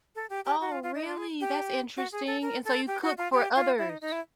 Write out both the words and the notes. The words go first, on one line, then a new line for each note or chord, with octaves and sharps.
Oh, really? That's interesting, and so you cook for others.
A4
G4
G4
F#4
F4
F4
D#4
D4
G#4
G4
F#4
G#4
A4
A#4
A4
G4
F#4
F4
G4
F4
E4
D#4
D#4
E4